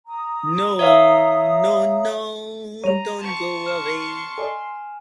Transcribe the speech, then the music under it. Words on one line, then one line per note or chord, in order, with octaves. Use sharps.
No, no, no, don't go away.
A#5 D#6
C#5 E5 F5
G3 C#5 A#5 D#7 F7
A5 C6 C#6
F6 E7
A4 D5 D#5 G#5